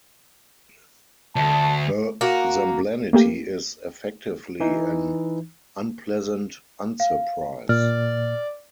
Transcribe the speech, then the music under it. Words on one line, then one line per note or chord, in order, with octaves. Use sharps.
A zemblanity is, effectively, an "unpleasant unsurprise".
D2 A5
A#3 F#4
A3 A#3 G4
E3 D#4
F5
A#2 D5 F6